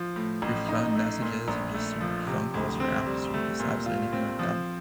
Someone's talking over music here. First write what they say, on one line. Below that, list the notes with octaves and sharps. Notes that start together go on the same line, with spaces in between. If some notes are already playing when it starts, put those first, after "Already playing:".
your phone messages or just your phone calls, or apps, or just absolutely anything like that?
Already playing: F3
A2
A1
D#4
A3
A#2
A#1
A3
F3
C3
D2
C4
G3
A3
A#2
F4
C4
F3